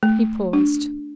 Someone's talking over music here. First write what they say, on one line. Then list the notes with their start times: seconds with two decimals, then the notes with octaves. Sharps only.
He paused.
0.03 A3
0.53 D4